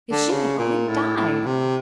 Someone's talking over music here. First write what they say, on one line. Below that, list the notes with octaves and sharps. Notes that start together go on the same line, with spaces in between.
If she had only died!
D3
C#3
A#2
A2
A2
C3